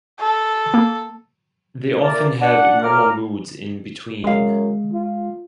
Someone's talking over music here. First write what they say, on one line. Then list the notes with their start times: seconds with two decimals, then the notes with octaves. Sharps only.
They often have normal moods in between.
0.20 A4
0.74 A#3
2.01 E3 A#3 A#4 D5
2.40 D4 F#5
2.83 A2 F4 A#5 D6 F6
4.24 F#2 G#3 G#4 F5
4.93 F4